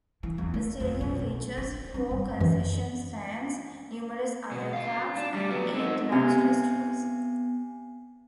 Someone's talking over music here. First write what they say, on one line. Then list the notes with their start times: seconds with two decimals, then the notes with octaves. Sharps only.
The stadium features four concession stands, numerous other carts, and eight large restrooms.
0.23 E3
0.38 E2
0.54 A3
0.80 F2
1.01 B1
1.58 D4
1.94 C4
2.11 G2
2.41 F#2 E3
4.52 B2
4.73 F#4 F5
5.17 D4
5.34 G3
5.50 F#3 B3
5.73 C4 D#4
6.12 C3 B3 G#5